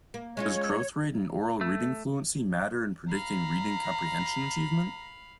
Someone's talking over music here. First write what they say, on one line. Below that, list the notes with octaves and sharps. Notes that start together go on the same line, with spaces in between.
Does growth rate in oral reading fluency matter in predicting reading comprehension achievement?
A#3
G#3 C#4 F4 C#5
A3
F5 A#5 B5